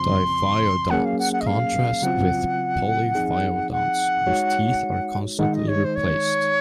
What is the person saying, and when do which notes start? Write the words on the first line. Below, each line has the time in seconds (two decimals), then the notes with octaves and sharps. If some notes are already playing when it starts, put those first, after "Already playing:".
Diphyodonts contrast with polyphyodonts, whose teeth are constantly replaced.
Already playing: F2 C#3 F3 C4 C6
0.90 F#3 A#3 C#4 G#4 F#5
1.04 F5
1.18 F#5
1.32 F#5
1.40 D#5
1.46 F5
2.02 C#3 F#3 C4 F4 F#5
3.15 F3 C4 D#4 G#4
3.71 F#5
4.27 G#3 D#4 F#4 C#5
5.39 D#3 G#3 D#4 F#5
5.54 D#5
5.67 C#5
5.84 C5
5.95 C#5